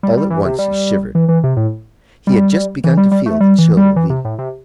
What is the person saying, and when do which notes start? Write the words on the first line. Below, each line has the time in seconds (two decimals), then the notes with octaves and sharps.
All at once he shivered; he had just begun to feel the chill of evening.
0.03 G3
0.17 G3
0.30 E3
0.45 C3
0.59 G3
1.15 E3
1.29 E3
1.44 C3
1.57 A2
2.27 G3
2.84 E3
2.97 G3
3.11 G3
3.26 A3
3.40 G3
3.59 E3
3.77 G3
3.96 E3
4.10 C3
4.25 A2
4.39 C3